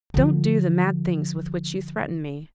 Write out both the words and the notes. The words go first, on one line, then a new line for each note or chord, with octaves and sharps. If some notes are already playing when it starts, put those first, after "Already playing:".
Don't do the mad things with which you threaten me.
D3 F3